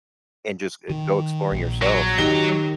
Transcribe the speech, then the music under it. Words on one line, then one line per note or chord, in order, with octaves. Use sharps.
and just g go exploring yourself
D#3
A#1
F#3
D#3 D#4 G4 G7